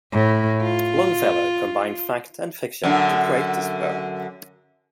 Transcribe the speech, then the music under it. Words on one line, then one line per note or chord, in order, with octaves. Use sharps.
Longfellow combined fact and fiction to create this poem.
A2
F4
F#2 D3